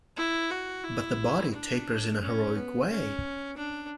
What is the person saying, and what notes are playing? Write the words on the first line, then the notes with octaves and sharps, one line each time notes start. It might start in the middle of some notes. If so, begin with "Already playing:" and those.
But the body tapers in a heroic way.
E4
F#4
E4
D4
C#4
B3
C#4
D4